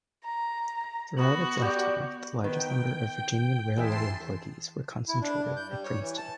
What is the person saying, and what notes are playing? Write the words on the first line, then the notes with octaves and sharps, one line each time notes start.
Throughout its lifetime, the largest number of Virginian Railway employees were concentrated at Princeton.
A#5
B3 F#4
G4 D5 G5
D#3 B3 B4 G5
E2 E3 G#4 E5 G5 A5 C6 C7
E4
D4
G2
G6
G3
C#5
E3
A5